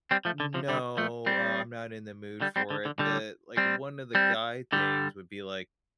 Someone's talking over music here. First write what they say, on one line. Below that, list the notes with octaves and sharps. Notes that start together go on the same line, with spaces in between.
"No, uh, I'm not in the mood for it." Eh, like, one of the guy things would be like
G3 C4
F3 A3
D3
C3 F3
D3 G3
F3 A3
G3 C4
D3 G3
G3 C4
D3
D3
D3 G3
G3 C4
G3 C4
D3 G3